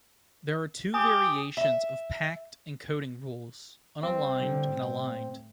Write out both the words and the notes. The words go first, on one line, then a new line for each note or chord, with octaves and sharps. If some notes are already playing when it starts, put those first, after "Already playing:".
There are two variations of packed encoding rules: unaligned and aligned.
G4 G#5 D#6
E5
G3 C4
D3 G3
A2